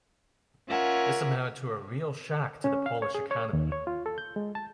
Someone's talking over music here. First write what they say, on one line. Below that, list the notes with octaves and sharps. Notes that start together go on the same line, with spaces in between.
This amounted to a real shock to the Polish economy.
C#4 F4 A#4 E5 F#5 G#5
C#4
F5
C#5
G#4
C#5
D#2
C#5
F4
A4
G6
G#3
A5